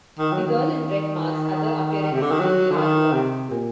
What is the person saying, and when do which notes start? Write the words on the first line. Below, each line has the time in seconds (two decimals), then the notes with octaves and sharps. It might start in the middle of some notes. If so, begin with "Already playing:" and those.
The girl in red makes other appearances in the artwork.
0.19 D#3
0.33 F#3
0.46 D#3
2.12 C3
2.22 D3
2.31 D#3
2.40 F#3
2.71 D3
2.77 D#3
3.13 C3
3.50 A#2